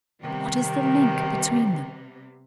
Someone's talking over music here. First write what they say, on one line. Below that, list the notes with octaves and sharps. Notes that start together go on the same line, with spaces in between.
What is the link between them?
C3 D#3 G3 B3